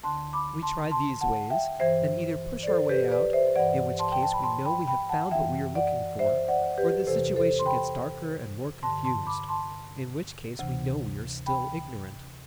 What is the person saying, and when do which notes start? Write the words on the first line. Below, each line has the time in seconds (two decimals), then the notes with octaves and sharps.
We try these ways, and either push our way out, in which case we know we have found what we were looking for, or the situation gets darker and more confused--in which case, we know we are still ignorant.
0.03 D2 D3 A5 C6
0.33 B5 D6
0.63 A5 C6
0.91 A5 C6
1.21 F#5 A5
1.50 E5 G5
1.79 G2 E3 C5 E5
2.63 D5
2.67 A4 C5
2.89 G4 B4
3.12 B4 D5
3.33 C5 E5
3.56 G2 E3 D5 F#5
3.99 A5 C6
4.12 G5
4.23 A5
4.33 B5
4.43 A5 C6
4.65 G5 B5
4.87 G5 B5
5.09 F#5 A5
5.31 F#2 E3 E5 G5
5.75 D5 F#5
6.19 C5 E5
6.48 D5 F#5
6.78 G4 B4
7.07 E2 C3 E3 A4 C5
7.36 A4 C5
7.59 C6
7.66 G5 B5
8.83 G2 D3 A5 C6
9.05 A5 C6
9.27 B5 D6
9.49 A5 C6
10.59 D2 C3 E3
11.46 G5 B5